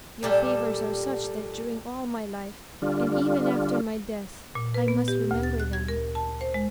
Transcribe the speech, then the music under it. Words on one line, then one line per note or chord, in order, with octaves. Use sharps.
Your favours are such that during all my life, and even after my death, I must remember them.
A#2 G3 A4
D3 G3 D4 F4
A#2
B4
B3
G4
D2
A6
F#6
G#6
A#4
A5
C5
G#3